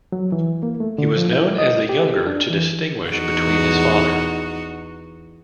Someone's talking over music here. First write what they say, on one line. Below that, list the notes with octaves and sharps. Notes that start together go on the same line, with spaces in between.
He was known as the younger to distinguish between his father.
F#3
E3
A#3
A3
D3
F3
E4
D#5
G4
D4
E3
E2 D#4 F#4